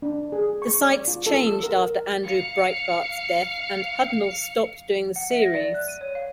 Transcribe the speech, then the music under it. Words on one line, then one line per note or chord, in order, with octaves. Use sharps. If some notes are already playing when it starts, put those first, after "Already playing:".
The sites changed after Andrew Breitbart's death and Hudnall stopped doing the series.
D4
G#4
C#6
D5
F4
A4
E6
A#4
F5 C#7
F#5
E5
A#6
D5
F#6
D#7
C#5
F5